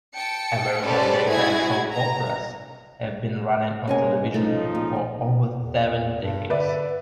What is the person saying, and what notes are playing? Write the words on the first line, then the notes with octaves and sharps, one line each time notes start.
American daytime soap operas have been running on television for over seven decades.
G5 A5 C#7
C#4 G4 A4 B4 C5 D5
E4 F#4 G#4 G#6
A#5
C3 G#3 A#3 C#4 D#5 G#5
C#2 F3 A3 D#4
A#2
E2
G2
D3 B4 D5 E5